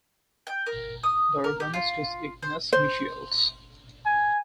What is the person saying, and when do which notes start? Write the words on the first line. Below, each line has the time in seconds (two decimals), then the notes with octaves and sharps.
The organist is Ignace Michiels.
0.47 G5
0.66 A#4
1.03 D#6
1.44 A#4
1.60 G4
1.74 F4
2.42 C5
2.73 C5
4.05 G#5